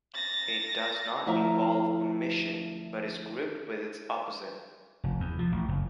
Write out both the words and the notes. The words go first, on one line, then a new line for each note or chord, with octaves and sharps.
It does not involve omission, but is grouped with its opposite.
A6 A#6
D2 F3 E4 E5 F5 A#5
F1
E2
F3
A1
F#1